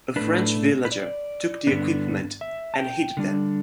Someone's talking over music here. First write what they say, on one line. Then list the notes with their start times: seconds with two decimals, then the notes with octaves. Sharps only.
A French villager took the equipment and hid them.
0.16 A2 A3 D4 B4
0.85 B4
0.92 D5
1.67 G2 D3 B3 D4
2.41 E5
2.74 A5
2.79 G5
3.17 D3 G3 D4